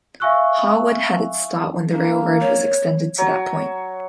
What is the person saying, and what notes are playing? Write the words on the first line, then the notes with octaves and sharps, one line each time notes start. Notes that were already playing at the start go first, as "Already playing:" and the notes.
Harwood had its start when the railroad was extended to that point.
E5 F5 G#5 C#6 E6 F#6
A#3 D4
C#5
F#3 C#5